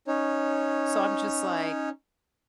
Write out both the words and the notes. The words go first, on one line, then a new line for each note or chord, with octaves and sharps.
So I'm just like
C#4 D#4 C#5